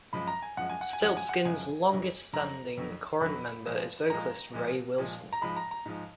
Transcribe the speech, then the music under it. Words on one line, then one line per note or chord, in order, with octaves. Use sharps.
Stiltskin's longest-standing current member is vocalist Ray Wilson.
F#2 F3 G#3 B5
A#5
G#5
F#2 F3 G#3 F#5
G#5
F#5
G#5
F#2 F3 G#3 F#5
G#5
F#5
F#2 F3 G#3 G#5
F2 D3 F#3
F2 D3 F#3 A#5
F2 D3 F#3
F2 D3 F#3 B5
A#2 F3 G#3
A#2 F3 G#3 A#5
A#2 F3 G#3
A#2 F3 G#3
A#5
G#2 F3 G#3 B5
A#5
A#5
G#2 F3 G#3